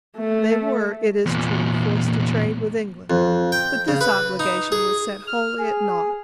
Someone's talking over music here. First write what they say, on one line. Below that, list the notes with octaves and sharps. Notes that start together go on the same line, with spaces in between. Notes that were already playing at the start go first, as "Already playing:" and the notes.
They were, it is true, forced to trade with England, but this obligation was set wholly at naught.
A3
E2 A#2
F2
G5
C#3
B4
D#4
G#4
F6
G#4